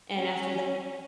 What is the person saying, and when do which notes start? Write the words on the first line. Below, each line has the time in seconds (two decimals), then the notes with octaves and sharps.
and after
0.16 C#4